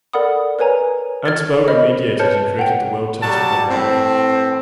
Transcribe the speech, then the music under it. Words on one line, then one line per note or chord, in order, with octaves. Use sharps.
Antaboga meditated and created the world turtle Bedwang.
A4 A#4 D5 F#5 B5 D#6
A#4 B4 C#5 G#5 A#5
F6 G#6 A6
A#4 C5 C#5 D#5 B5 F6
B4 C#5 A5 F6 G6 C#7
F#5 G5
F#3 G3 A5
A2 E3 C4